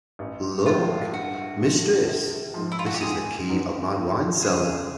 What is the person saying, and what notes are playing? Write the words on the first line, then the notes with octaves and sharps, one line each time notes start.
Look, mistress, this is the key of my wine-cellar.
A1
A2 F3 G#3 F4
G2 F#4
D3 F3
A#1
G#2 F3
E4
F4
F#4
G4
G#2 G#4
D#3 F#3 B3 D4
F#1
F#2 C#3 G#4